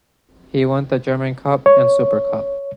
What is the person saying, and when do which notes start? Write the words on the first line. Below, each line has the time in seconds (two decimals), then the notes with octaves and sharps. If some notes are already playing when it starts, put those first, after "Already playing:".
He won the German Cup and Super Cup.
1.66 C#5